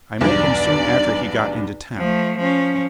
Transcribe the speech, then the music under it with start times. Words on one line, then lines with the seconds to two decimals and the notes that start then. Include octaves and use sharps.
I met him soon after he got into town.
0.21 B1 E2 G2 D5
1.98 F3 A3
2.38 F3 C#4